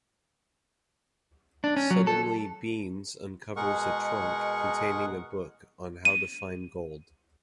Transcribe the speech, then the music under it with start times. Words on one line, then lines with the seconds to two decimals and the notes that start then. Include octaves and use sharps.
Suddenly Beans uncovers a trunk containing a book on how to find gold.
1.64 D4
1.77 C#4
1.91 F#3
2.07 A4
3.56 B2 G#3 G#4 A#4 F#5 C#6
6.05 D#7